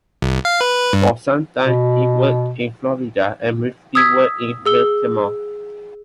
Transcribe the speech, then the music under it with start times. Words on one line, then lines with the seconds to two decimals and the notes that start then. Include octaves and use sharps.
For some time he worked in Florida and briefly worked in Baltimore.
0.22 C2
0.45 F5
0.61 B4
0.93 G2
1.64 B2
3.95 D#6 E6 G#6 B6
4.66 G#4 E6 G7